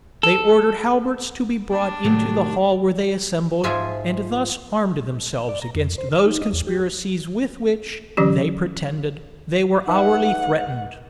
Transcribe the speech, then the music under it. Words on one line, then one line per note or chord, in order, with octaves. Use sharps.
They ordered halberts to be brought into the hall where they assembled, and thus armed themselves against those conspiracies with which, they pretended, they were hourly threatened.
A4
D4
A2 C3 D#3 F#3 A3
G#2 F3 F4 G#4 E5
D5
A#5
F2
C5
F6
D#4
D#5
E2
G4
D3 E3 F#3 C#4 G4
D#4 B4 E5 F#5